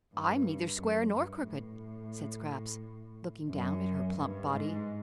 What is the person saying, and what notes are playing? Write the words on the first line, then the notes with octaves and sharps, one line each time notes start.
"I am neither square nor crooked," said Scraps, looking down at her plump body.
G2
F#2
G2
A2
F#2
G2
G#2